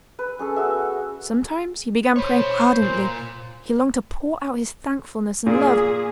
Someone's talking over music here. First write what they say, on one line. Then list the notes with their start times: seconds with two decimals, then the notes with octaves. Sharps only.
Sometimes he began praying ardently, he longed to pour out his thankfulness and love....
0.19 B4
0.39 C#4 G#4 A4
0.56 B3 F#4 E5
2.16 C5 C#5 B5
2.82 A#2
5.47 A#2 G#4